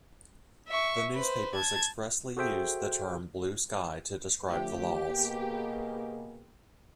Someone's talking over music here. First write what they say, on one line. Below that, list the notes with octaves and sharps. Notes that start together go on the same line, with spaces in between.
The newspapers expressly used the term "blue sky" to describe the laws.
E5 C#6
B4 C5
A5 G#6
F#4 G#4 A4 C5 E5 G5
D3 F3 A3 G4
B2 A#3 G#4